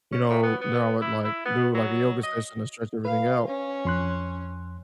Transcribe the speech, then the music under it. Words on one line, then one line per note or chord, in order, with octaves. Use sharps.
you know, then I would, like, do, like, a yoga session to stretch everything out,
C#4
A2
B3
B3
E4
E4
B3
F#3
D#5
B4 F5
C#4
F2 C6 F#6